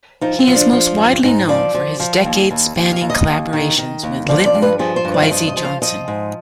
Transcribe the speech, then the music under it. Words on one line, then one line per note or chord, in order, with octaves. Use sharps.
He is most widely known for his decades-spanning collaborations with Linton Kwesi Johnson.
F3 D#4
C4
F3
D4
F3
G2
G#2 D#4
F3 D5
F3
F3
D#2
D#2
D#2
F5
D#2
D#5
D#2
D#3
D#3
D#2
F3 D5
D5
G2
B4
F3 G#4
C5
G2
D5
F5
F3 D#5
D#5
F3
F5
F3 D#5
G#2